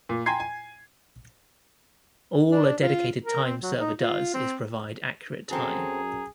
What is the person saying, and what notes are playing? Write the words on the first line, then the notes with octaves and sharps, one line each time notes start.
All a dedicated time server does is provide accurate time.
A#2
G5 G#5 A#5 C6 G#6 C7
G#5
D4
F4
A#4
C4
F#3
D#4
F4
C4
F#2 F#3 C4 G#4 A4 A#5